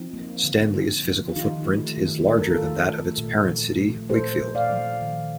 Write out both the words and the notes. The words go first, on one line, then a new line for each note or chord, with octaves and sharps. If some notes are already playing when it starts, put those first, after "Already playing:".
Stanley's physical footprint is larger than that of its parent City Wakefield.
Already playing: F3 C4 D#4
A#3
D3
D3
F3
F4
D#3 D#4 G4
A3
D#3
A3 A4
A#4
F4 A4
D#3
A3
A#2
F3
A3
A#2 A4 C5
A#2
D5 F5
F3
D#3